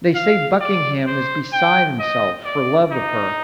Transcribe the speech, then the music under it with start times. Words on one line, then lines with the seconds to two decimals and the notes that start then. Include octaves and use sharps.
They say Buckingham is beside himself for love of her.
0.15 F5
0.61 D5
1.06 C5
1.53 G5
1.99 D#5
2.45 D5
2.91 D#4